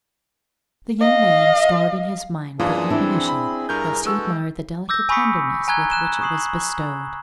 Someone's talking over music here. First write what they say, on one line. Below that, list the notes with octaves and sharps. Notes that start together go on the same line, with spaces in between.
The young man stored in his mind the admonition whilst he admired the delicate tenderness with which it was bestowed.
D#5 F5
F#2 E3 A#3 D4 F4 G#4 D#6
C4 D4 E4
B5
G2 A#4 A#5 G6
G#3 F#4 A4 B4 E6
D6 E6 G6 A#6
G#5 B5 C#6 D#6 B6 C#7
G#5 A#5 F#6 G#6 G7
F#6 E7 G7
C#6 D#6 C7 F#7